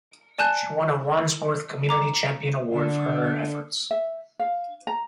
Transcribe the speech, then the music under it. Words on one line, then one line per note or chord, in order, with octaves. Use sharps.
She won a Wandsworth Community Champion award for her efforts.
D5 G#5 A5 F#6 G6
A#5 D6
D3
E5
F5
A#5